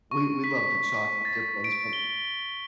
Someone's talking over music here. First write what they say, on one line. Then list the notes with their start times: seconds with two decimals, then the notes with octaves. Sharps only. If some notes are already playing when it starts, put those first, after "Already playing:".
We we loved the chocolate chip ones, but
0.11 C#6
0.44 B6
1.25 A6
1.64 D7
1.93 G7